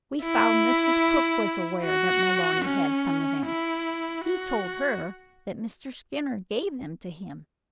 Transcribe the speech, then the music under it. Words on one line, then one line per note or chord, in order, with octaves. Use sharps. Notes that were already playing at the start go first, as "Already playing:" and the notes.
We found Mrs. Cook was aware that Maloney had some of them--he told her that Mr. Skinner gave them to him.
E4
F#4
C#4
E4
F#4